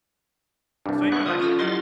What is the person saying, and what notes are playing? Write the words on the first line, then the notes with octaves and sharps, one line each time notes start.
Saban actually had
C2 G2 D4
B3 E4 C#6 F#6
D3 F3 F4 D#6
C#4 F4 A4
F#3 E4 G4 C6 A6